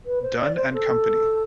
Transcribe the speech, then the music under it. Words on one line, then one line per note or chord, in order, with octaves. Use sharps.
Dun and Company.
B4
C5
D5
C5
A4